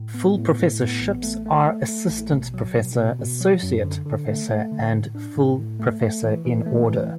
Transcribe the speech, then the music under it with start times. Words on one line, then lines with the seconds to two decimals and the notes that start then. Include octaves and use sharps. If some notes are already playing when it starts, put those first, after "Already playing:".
Full professorships are assistant professor, associate professor, and full professor in order.
Already playing: A2
0.14 B3
0.37 A2
0.59 A2
0.80 B3
1.01 A1
1.23 A3
1.46 A3
1.66 A3
1.89 A3
2.11 A1
2.32 B2
2.54 F#3
2.75 B2
2.97 B2
3.19 B2
3.41 F#3
3.63 F#2
3.84 D3
4.05 D3
4.28 A3
4.49 A3
4.72 D3
4.93 A2
5.15 D4
5.36 A2
5.58 A2
5.80 A3
6.01 A3
6.24 E3
6.45 E3
6.66 A3
6.89 E3